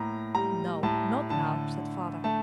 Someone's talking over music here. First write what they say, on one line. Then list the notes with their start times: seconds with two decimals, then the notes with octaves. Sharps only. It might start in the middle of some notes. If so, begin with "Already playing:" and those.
"No, not now," said Father.
Already playing: A2 A#3 A#5
0.35 G3 A#5
0.83 A2 A5
1.30 D3 A5
1.78 D3
2.24 A3 A5